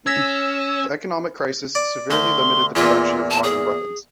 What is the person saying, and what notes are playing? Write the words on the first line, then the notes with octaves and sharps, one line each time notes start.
The economic crisis severely limited the production of modern weapons.
C#4 E6 G#6 A#6 B6
D5
D2 C6
E2 A#2 F4
A5
G#4